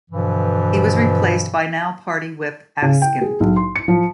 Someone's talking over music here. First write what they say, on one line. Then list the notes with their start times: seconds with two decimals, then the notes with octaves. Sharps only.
He was replaced by now-Party Whip Askin.
0.11 G2 B2 D3 E3 F3
2.82 C#3
3.02 G5
3.21 G#4
3.40 B1
3.56 C6
3.76 C#7
3.88 F3